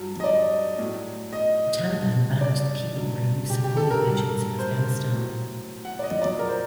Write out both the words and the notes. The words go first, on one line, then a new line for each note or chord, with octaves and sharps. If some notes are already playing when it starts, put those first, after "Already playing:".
The Taliban banned the keeping or use of homing pigeons in Afghanistan.
Already playing: G2 F#3
D#5
D5
A2 F#3
D#5
G2 F#3
D5
G2 F#3
G4
G4
A4
A#4
G2 F#3
C5
A2 F#3
F#5
D5
D#5
A#2 F#3 D5
A#4
C5